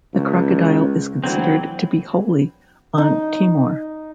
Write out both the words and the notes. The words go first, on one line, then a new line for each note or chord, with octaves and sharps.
The crocodile is considered to be holy on Timor.
C#2
D2 E3 F#3 C4
D#4